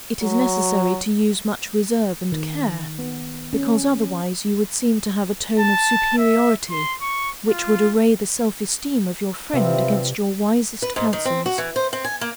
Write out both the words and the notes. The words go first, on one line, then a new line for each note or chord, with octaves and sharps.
It is necessary to use much reserve and care, because otherwise you would seem to have a tone of superiority which would array the self-esteem of your friend against your wisest counsels.
F#3
D#3
B3
C#4
A5
E5
C6
C#6
F4
C3 F3 G3 C4 B4 E5 F5
B4
G#2
D#3
C4
F#4
E3
C5
C4
G#5
A#3